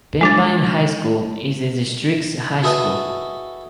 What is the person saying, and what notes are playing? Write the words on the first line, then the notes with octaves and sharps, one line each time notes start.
Pembine High School is the district's high school.
G#3 D4 A6
E4 F#4 G#4 A4 B4 D#5